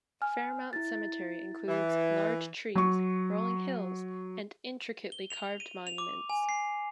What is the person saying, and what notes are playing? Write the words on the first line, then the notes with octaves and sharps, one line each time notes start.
Fairmount Cemetery includes large trees, rolling hills, and intricately carved monuments.
G#5 F6
E4 A6
E3
F#3 C#6
G7
F7
D#7
F7
D6
G#5
C7